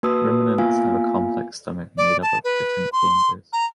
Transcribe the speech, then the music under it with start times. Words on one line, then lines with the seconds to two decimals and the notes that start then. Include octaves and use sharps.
Ruminants have a complex stomach made up of different chambers.
0.03 A#3 F#4 B4 A5 D#6 E6
0.58 A#3 B3 F4 F5 G#5
1.98 D5
2.22 A5
2.44 B4
2.92 C6
3.53 A#5